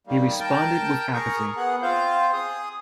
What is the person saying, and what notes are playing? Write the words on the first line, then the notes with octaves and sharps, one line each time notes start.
He responded with apathy.
D#3 G3 A#3
A#4 G5 A5 G6
G#4 A#4 A#5 C#6
B3 G#4 F#5
C4 F4 C5 F5 G6
G#4 D#6